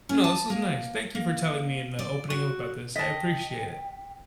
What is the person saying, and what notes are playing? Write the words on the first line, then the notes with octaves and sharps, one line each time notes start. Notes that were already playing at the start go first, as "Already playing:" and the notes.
No, this was nice. Thank you for telling me and, uh, opening up about this. I appreciate it.
C#4
A5
A#3
A#3
D5
F#4
D#5 G5 A5 B6